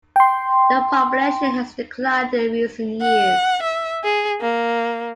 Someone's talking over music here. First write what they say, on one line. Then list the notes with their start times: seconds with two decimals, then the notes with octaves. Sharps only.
The population has declined in recent years.
0.16 G5 C6
3.01 F#5
3.62 E5
4.04 G#4
4.41 A#3